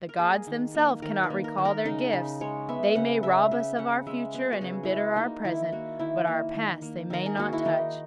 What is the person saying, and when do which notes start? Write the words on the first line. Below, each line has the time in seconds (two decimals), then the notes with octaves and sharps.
"The gods themselves cannot recall their gifts." They may rob us of our future and embitter our present, but our past they may not touch.
0.09 A#4
0.19 A#3 G#4
0.47 D#3
0.75 A#3
1.02 D#3 A#4
1.23 B4
1.30 A#3
1.44 A#4
1.58 D#3
1.65 A#4
1.85 C#3 D#4
2.13 C#3
2.41 G#3 C#5
2.69 B3 E5
2.95 C#3 F#5
3.23 C#3 E5
3.51 C#3 E5
3.79 C#3 F#5
4.07 G#3 E5
4.34 B3
4.53 F#4
4.61 C#3 G#4
4.83 E4
4.89 C#3 F#4
5.16 A#3 D#4
5.44 D#3 E4
5.64 E4
5.72 A#3 F#4
5.99 D#3 E4
6.27 A#3
6.54 D#3
6.82 A#3
7.10 D#3 A#4
7.26 G#4
7.37 A#3 F#4
7.53 E4
7.65 D#3 D#4